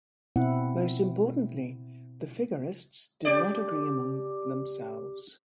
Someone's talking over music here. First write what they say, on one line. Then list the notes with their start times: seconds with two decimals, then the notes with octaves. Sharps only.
Most importantly, the Figurists did not agree among themselves.
0.36 B2 C4 E4 F#5
3.25 C#4 G4 D5